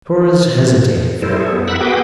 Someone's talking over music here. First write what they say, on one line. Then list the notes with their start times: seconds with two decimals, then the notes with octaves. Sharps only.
Torres hesitated for a moment.
1.22 G3 E4 A4 A#4 C5
1.37 G#4 A4
1.52 B3
1.68 A#4 E5 F#5 B5 E6 F#6
1.81 B3 F#4 G#4 G5 D6 D#6